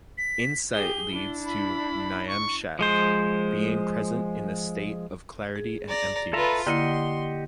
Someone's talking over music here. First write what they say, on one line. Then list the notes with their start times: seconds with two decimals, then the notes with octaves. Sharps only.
Insight leads to "nyamshag", "being present in the state of clarity and emptiness".
0.18 B6
0.73 G4 G#4 G7
1.10 D4 E4
1.46 B5
2.28 C#6
2.79 F3 G#3 C5
5.56 G#4
5.88 D5 A#5
6.33 F4 A4 B4 E5 A#5
6.67 D3 A#3 E4 G4 D#5 F#5 C6